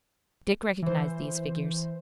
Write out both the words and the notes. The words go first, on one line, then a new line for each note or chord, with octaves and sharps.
Dick recognized these figures.
E3 C5